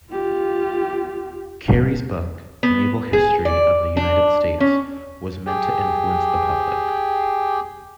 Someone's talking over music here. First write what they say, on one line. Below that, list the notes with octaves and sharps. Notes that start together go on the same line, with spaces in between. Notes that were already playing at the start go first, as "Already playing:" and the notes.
Carey’s book "Naval History of the United States," was meant to influence the public.
F4 G4
B3
G#4
D5
D4
C#4
G4 G#4 G5